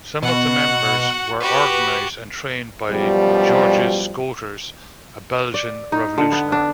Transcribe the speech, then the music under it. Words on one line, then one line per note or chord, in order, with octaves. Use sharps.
Some of the members were organized and trained by Georges Schoeters, a Belgian revolutionary.
B2 F#4 F#5
F#4 G4 B4
F#2 B2 F3 G3
D5
D#4
D3
B3
D4